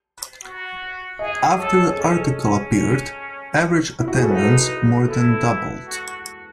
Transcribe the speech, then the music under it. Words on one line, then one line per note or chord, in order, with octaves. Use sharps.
After the article appeared, average attendance more than doubled.
F#4
G#4 D#5
A4 C#5
G#4
C#4 A4
C#4
E4
F#4
G#4
A4
D#4 B4
E4 A4
F#4